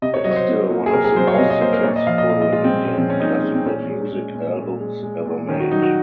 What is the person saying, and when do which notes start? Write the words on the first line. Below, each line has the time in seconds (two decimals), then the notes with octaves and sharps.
It is still one of the most successful Indian classical music albums ever made.
0.02 C3 D#5
0.14 C#5
0.25 F#3 D#5
0.31 C#5
0.36 C5
0.48 C3
0.71 A#3
0.86 G#4
0.93 C3 A#4
1.04 G#4
1.16 F#3 C5
1.27 C#5
1.35 F5
1.38 C3 D#5
1.50 D#5
1.61 A#3 C5
1.73 A#4
1.84 A#2 C#5
1.96 D#5
2.07 F3 F5
2.18 D#5
2.29 A#2 F5
2.42 D#5
2.52 G#3 F4
2.64 C4
2.75 A#2
2.86 C#4
2.98 F3 C4
3.10 C#4
3.20 A#2 D#4
3.44 G#3
3.55 C4
3.66 A#2 C#4
3.89 G#3
4.12 G#3
4.35 A#2
4.57 A#2
4.80 G#3
5.03 G#3
5.26 A#2
5.48 D#3 C#4
5.60 F#4
5.71 F#3 D#4
5.82 F#4